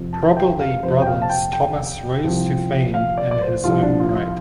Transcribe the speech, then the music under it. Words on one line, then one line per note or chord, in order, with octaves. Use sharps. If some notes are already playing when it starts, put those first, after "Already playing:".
Probably brothers Thomas rose to fame in his own right.
Already playing: F2 C3 F3
A5
G5
F5
F2 C3 F3 C5
G5
F5
A5
G5
G5
C2 C3 F3
F5
D5
D5
C5
C2 C3 F3 F4
D4
F4
F4